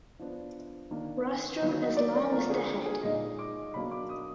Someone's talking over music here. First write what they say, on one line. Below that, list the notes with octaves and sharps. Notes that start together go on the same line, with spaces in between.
Rostrum as long as the head.
F3 B3 D4
D#3 A#3 D4
D#3 F#3 A#3 D4 B4
D#5
D5
D5
D3 F3 A#3 D4 A#4
G#4
G#4
A#2 G#3 D#4 D#5
D6
B2 F#3 A#3 D4 B5
D6
D#6